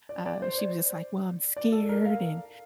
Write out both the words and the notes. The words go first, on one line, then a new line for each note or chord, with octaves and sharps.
uh, she was just like, "Well, I'm scared, and
D5
D5
C5
D5
D5
A4
A#4
F5